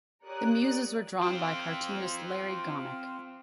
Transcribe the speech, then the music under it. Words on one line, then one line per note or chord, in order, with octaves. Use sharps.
The Muses were drawn by cartoonist Larry Gonick.
G4 A#4 C#5 D5 D#6 F#6
C4 F4